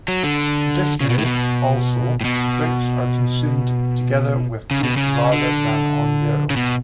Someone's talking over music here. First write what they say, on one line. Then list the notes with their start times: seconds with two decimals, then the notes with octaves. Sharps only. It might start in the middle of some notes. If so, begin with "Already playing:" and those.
Traditionally, also, the drinks are consumed together with food rather than on their own.
0.08 F#3
0.24 D3
1.01 C#3
1.10 B2
1.18 A2
1.25 B2
2.21 A2
2.25 B2
4.71 C#3
4.83 B2
4.97 C#3
5.32 D3
6.50 C#3
6.56 B2